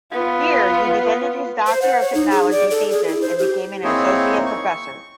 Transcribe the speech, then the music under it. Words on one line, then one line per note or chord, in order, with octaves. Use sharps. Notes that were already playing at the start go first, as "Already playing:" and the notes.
Here he defended his Doctor of Technology Thesis and became an associate professor.
B3 F4
C5
F#5
C#5
D#4
G#4
D5
A4
G#4
E4
C5
G4
A#3 C4 D#4 E4 G#4 C#5
C#6